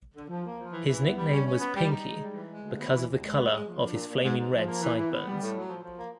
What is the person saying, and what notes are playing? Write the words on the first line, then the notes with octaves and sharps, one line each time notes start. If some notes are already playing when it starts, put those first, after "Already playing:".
His nickname was Pinky, "because of the color of his flaming red "side-burns.
D3
F3
A#3
F3
E3
E3
B3
G3
C#4
C#4
B3
G3
D#4
G#3
G3
E3
G#3
D2
B3
E3
D#2
G#3
B3
G#3
F3
D4
A#2
A#2
G#2
G#2
F3
A#3
E3
E3
B3
G3
A2
F#3
F3
F3
A#3